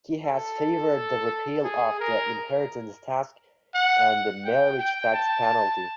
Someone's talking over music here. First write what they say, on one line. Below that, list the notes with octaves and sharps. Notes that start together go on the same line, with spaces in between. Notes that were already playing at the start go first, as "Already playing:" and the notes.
He has favored the repeal of the inheritance tax and the "marriage tax penalty".
A4
G#4
A#4
F#5
G5
G5
A5